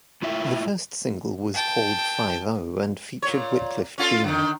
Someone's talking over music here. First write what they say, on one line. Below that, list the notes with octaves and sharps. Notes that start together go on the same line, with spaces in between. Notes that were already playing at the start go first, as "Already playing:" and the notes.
The first single was called "Five-O" and featured Wyclef Jean.
A2 E4 F4 E5 G5
G5 A5
A#2 C#5
C#4 F4 A4
D3 D#3